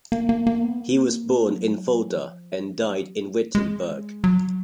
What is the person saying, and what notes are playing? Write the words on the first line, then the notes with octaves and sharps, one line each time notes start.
He was born in Fulda and died in Wittenberg.
A#3
A#3
A#3
B3
A#3
F#3
F3
F#3
G#3
G#3
F#3